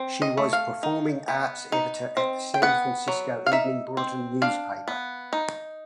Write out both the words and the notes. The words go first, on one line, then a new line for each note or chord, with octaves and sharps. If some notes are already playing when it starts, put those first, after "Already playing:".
She was performing arts editor at the "San Francisco Evening Bulletin" newspaper.
Already playing: C4
D#5
A3
F5
D#4
B3
D#4
C4
G5
B3 F#5
F#3
F5
D#4 E5
C4
D4 F5
B3
D#4